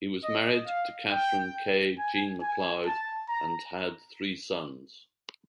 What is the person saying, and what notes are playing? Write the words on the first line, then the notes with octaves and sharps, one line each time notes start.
He was married to Katherine 'Kay' Jean MacLeod and had three sons.
D#5
F5
G5
G#5
G#5
A5
A#5